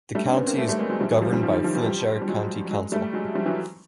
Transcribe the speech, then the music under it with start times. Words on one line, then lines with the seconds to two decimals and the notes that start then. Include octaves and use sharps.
The county is governed by Flintshire County Council.
0.15 G3 A3
0.25 C4 D4
0.36 B3 C#4
0.47 A#3 C4
0.58 A3 B3
0.68 G3 A3
0.79 G#3 A#3
0.89 F#3 G#3
1.01 F3 G3
1.11 E3 F#3
1.21 F3 G3
1.32 F3 G3
1.43 D#3 F3
1.53 D#3 F3
1.64 D#3 F3
1.75 E3 F#3
1.86 F3 G3
2.22 G3
2.28 F#3 G#3
2.71 F#3 G#3
2.92 G3 A3
3.13 F#3 G#3
3.35 F3 G3
3.46 E3 F#3